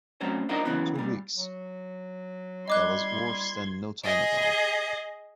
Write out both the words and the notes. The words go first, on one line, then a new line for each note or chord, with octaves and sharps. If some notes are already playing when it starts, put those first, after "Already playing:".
Two weeks — that was worse than no time at all.
F#3 A3 C4 C#4 C5
D4 D#4 F4 A#4 C5 D#5
F#2 C#3 E3 B3
A#2 G3
F#3
G3 D#5 C6 D6 F#6 G#6
G#4 D#5